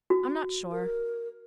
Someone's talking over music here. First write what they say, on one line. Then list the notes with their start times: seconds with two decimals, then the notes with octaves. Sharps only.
I'm not sure.
0.10 F#4
0.72 A#4